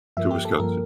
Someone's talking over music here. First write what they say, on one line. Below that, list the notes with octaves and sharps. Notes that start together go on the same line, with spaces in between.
to Wisconsin.
G2 F3 A#3 E5
G4
A4
G2 F3 A#3 A#4